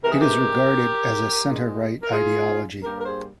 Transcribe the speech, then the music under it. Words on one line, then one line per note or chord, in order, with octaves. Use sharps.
It is regarded as a centre-right ideology.
C3 E3 G#3 A#4
G#4
G4 A#4
A#2 G#3
A#4
F4 G#4
G2 G3 A#3 G4 A#4
A#4
G#4 C5